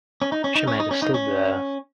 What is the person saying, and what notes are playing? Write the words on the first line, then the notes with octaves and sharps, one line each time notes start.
She made a slip there.
C#4
D#4
C#4
D#4
C#4
D#4
C#4
D#4
C#4